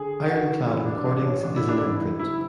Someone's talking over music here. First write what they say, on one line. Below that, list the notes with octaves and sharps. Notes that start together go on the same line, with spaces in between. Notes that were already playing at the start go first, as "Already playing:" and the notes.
IronClad Recordings is an imprint.
Already playing: D3 G#4
D3 F#4
A1 E4
D4
A1 D4
C#4
A1 D4
E4
D4
A1 E4
F#1 E4